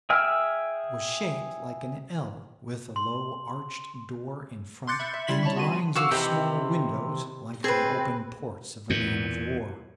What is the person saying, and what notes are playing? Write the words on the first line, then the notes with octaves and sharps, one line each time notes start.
It was shaped like an L, with a low arched door in front, and lines of small windows like the open ports of a man-of-war.
G#4 E5 G5 E6 F6
C6
C6 D6 F#6 G6 A6 C#7
E5 B5
E5
G3 E4 C6 B6 F#7
C#5 A5 B5 C#6
B3 F#4 C6 D#7
F#4 F5 D6 E6
C3 E3 G4 D#5 E5
C4 G#4 B4
E2 A#2